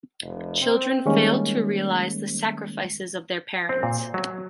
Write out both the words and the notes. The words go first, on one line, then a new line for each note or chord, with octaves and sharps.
Children fail to realize the sacrifices of their parents.
F1
C4
D#3 G3 G#3 A#3 C#4
C4
A#2
F#3